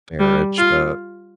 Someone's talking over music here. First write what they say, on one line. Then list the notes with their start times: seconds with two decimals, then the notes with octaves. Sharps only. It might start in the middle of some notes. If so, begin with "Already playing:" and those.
marriage, but
0.19 G3
0.58 F4